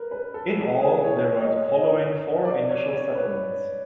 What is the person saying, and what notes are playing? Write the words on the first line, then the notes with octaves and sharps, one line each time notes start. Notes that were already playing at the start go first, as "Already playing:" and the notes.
In all, there were the following four initial settlements.
Already playing: A#4 B4
B4
A4
G#4
A4
G#4
C#5
D#5
D#5
D5
C#5
C#5
B4